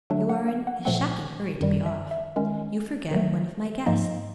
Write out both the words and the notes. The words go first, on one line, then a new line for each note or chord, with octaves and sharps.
You are in a shocking hurry to be off--you forget one of my guests.
D3 F#3 A3 D4 E5
F#5
F5
F#5
A#2 F3 A3 C4 F#5
F#2 D#3 G3
E5
E5
D#3 G#3 C#4
D#3 F#3 A3
G#2 F3 A#3 D#4 D#5